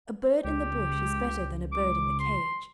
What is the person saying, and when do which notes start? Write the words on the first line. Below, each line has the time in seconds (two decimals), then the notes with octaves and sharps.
A bird in the bush is better than a bird in the cage.
0.45 C#2 G4
1.72 D6
2.20 C6